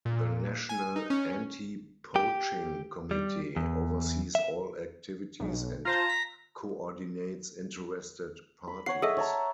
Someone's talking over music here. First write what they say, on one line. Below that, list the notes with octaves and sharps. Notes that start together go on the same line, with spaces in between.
The national anti-poaching committee oversees all activities and coordinates interested parties.
A#2
G#5
D#4
C#4
G4
G3
E2
E5
B1
F4 C5 A5 A#5
B6
B5
C#5 F#5 C7
G#4 A4 D#5 E5
C#5 A5 A#5